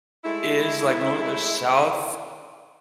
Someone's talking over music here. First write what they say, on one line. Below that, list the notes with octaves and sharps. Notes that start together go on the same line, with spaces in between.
is, like north or south.
G#3 A3 E4